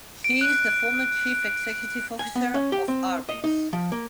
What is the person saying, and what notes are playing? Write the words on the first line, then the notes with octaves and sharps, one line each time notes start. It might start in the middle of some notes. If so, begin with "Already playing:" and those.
He is the former Chief Executive Officer of Arby’s.
D7
F#6
G#5
B3
C#4
G4
C4
D#5
D#4
F3
A#3